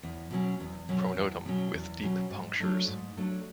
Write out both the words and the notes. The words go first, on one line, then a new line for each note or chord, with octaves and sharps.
Pronotum with deep punctures.
E2
B2 F#3 C#4
E2
B2 F#3 C#4
E2
B2 F#3 C#4
E2
B2 F#3 C#4
G#2
F#3 A3 D4
G#2
F#3 A3 D4